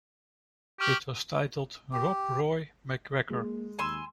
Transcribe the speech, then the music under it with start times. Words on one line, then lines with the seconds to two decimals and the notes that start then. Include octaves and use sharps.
It was titled "Rob Roy MacGregor".
0.80 G4 C#6 F6 F#7
1.93 G4
3.30 G#3 A#3
3.79 D#2 G#5 C6 E6